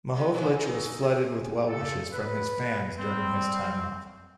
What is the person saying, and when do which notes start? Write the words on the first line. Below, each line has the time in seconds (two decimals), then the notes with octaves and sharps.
Mahovlich was flooded with well-wishes from fans during his time off.
0.14 G#2 F#3
0.34 A2 F3
0.61 F#3 D#4
1.03 G#4
1.69 C#3 A3 A4
2.12 B4
2.99 G3 C4